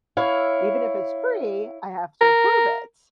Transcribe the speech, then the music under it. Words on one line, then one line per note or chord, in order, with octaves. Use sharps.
even if it's free, I have to approve it,
E4 C#5 F5
A#4